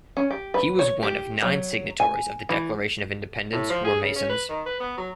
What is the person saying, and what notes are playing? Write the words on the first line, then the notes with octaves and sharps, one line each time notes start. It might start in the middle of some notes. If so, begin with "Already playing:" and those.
He was one of nine signatories of the Declaration of Independence who were masons.
C#4
G4
B4
C#5
G4
F#3
G#5
E3
A2
F3
G#4
C#3
C#4
B4
D#3
B4
B3
F#3